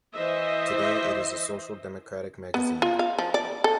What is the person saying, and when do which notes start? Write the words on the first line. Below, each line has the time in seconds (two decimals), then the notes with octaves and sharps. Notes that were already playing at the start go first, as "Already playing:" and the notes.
Today it is a social democratic magazine.
0.14 E3 C5 D#5 E5
2.54 B3
2.82 F4
2.99 F5
3.19 F3
3.34 D5
3.64 A4